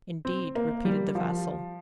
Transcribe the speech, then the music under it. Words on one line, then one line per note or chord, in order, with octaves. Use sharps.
"Indeed;" repeated the vassal.
C4
A#3
G3
F3